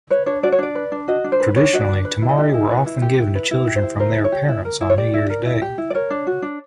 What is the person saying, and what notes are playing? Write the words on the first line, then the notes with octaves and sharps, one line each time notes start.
Traditionally, temari were often given to children from their parents on New Year's Day.
B4 C#5
D4 C#5
F#4 D5
C#5
D4 D5
B4
D4
F#4 D#5
D4
C5
B4
D4 C#5
F#4 D#5
D5
D4
B4
E4
D#5
G4
E4
B4
E4
G4
E4
B4
E4
G4
C5
E4
A#4 C5
E4
C#5
G4
E4
A#4
E4
C#5
G4 D5
E4
A#4
E4
G4
E4
D5
A#4 C#5
D4
F#4
D4